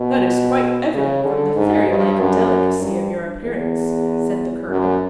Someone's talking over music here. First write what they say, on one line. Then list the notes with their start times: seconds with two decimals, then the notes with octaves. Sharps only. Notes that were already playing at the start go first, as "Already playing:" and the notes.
"That is quite evident from the fairy-like delicacy of your appearance," said the colonel.
Already playing: B2
0.94 C#3
1.25 D3
1.56 G#2
1.88 G2
2.19 F#2
2.81 G2
3.44 E2
4.68 F#2